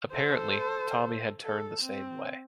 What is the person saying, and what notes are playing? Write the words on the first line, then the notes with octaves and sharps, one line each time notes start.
Apparently Tommy had turned the same way.
A4 C5
A4
C4